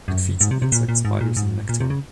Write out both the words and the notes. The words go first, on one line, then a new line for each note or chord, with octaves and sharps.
It feeds on insects, spiders and nectar.
F#2
G#2
C3
C3
A#2
A#2
G#2
A#2
G#2
A#2
C3
C#3